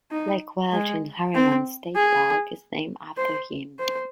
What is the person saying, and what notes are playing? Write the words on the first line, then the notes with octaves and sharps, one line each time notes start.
Lake Welch in Harriman State Park is named after him.
D#4
G#3
C4
G#4
C5
C5